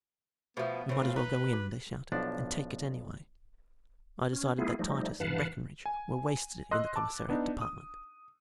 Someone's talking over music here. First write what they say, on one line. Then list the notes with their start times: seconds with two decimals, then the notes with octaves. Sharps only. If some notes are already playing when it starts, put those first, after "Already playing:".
"We might as well go in," they shouted, "and take it anyway!" I decided that Titus and Breckenridge were wasted in the Commissariat Department.
0.57 B2 F3 A3 B3 F#4 E5
0.89 A2 C4
1.02 A3 F4
1.16 D#4 B4
1.53 F#4
2.12 B1 F3 D4 F#5
4.33 C#4
4.58 A3 B3 E4 F4 G#4
4.79 F3 G3 A3 D#4
5.20 G2 E3 B4 F5 F#5 A5
5.86 G#5
6.71 D#5 C6 E6 F#6
6.96 A5 D6
7.29 B3 D4 D#4
7.61 D#6